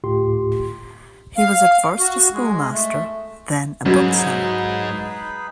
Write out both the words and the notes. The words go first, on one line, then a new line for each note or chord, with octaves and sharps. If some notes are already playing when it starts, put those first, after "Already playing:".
He was at first a schoolmaster, then a bookseller.
D2 A2 F4 G4 C6
F5
F#4
G#3
A3
G#2 F#3 C#4 D#4 G#4 B4